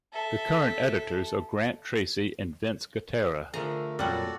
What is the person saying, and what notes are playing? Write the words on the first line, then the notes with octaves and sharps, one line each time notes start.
The current editors are Grant Tracey and Vince Gotera.
A4 E5
D3 F3 A3 G#4 A#4 A#5
F2 A#2 F#3 G3 F#4 A4 D5 F#5